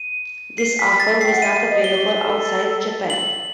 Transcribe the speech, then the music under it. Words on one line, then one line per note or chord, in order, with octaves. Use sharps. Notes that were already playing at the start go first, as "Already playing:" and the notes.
This offer was not available outside Japan.
Already playing: D#7
C7
B6
A6
G5 C7
F#5
E5 D#7
D#5
G7
F#4
G4
G4
A4
F#7